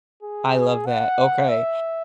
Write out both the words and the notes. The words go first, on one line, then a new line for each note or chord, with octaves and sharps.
I love that, okay.
G#4
F#5
E5